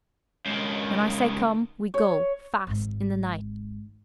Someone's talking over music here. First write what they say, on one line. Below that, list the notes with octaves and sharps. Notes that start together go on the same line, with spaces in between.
When I say come, we go--fast--in the night.
C#2 D#3
C#5
G#1 G#2